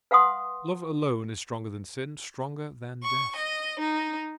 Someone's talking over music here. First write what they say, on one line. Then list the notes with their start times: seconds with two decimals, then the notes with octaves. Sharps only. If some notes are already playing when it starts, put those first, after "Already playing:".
Love alone is stronger than sin--stronger than death.
0.11 B4 F5 F#5 C6 D#6
3.04 C#6
3.36 D#5
3.80 D#4